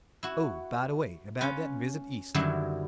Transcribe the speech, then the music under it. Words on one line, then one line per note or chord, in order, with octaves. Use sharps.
Oh, by the way--about that visit East.
E4 F#4
C#4 F4 B4
F#2 D3 D#3 F#3 G3 E4